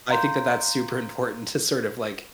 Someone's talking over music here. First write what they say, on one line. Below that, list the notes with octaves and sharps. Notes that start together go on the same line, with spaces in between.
I think that that's super important to sort of, like,
F5 A#5 C6 G6